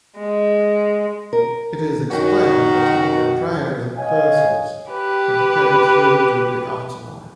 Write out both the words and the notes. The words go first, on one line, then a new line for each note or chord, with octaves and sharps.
It is explained that only prayers and curses can carry through to the afterlife.
G#3
A#4
F#2 D#3 F#4
C#5 D#5 F5 G#5
G4 B4